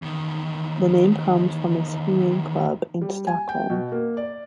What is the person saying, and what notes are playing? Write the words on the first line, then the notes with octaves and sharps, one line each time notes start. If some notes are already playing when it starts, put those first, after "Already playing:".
The name comes from a swinging club in Stockholm.
E2 D#3
G3
G#5
G5
B2
A#3
D5